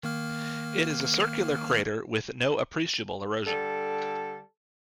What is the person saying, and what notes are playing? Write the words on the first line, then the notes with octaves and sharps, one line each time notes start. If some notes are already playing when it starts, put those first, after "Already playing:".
It is a circular crater with no appreciable erosion.
D#3 A#3 F6
D3 G3 A4